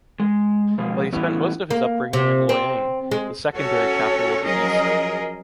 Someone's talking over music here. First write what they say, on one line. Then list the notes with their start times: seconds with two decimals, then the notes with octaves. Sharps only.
But he spent most of his upbringing in Loyang, the secondary capital of the East.
0.20 G#3
0.78 B2 F3 G#3 A#3
1.13 A2 E3 G3 B3 C#4 E4
1.70 A#3
2.13 C3
2.49 C4
3.11 G#3
3.57 C#4 F#4 A4 C#5
4.45 F3 F#3 C#4 G#4 A#4 D#5